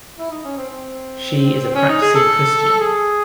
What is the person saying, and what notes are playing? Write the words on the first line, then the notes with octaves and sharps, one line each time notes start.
She is a practicing Christian.
E4
D#4
C#4
C4
C4
C#4
D#4
G#4
A4
G#4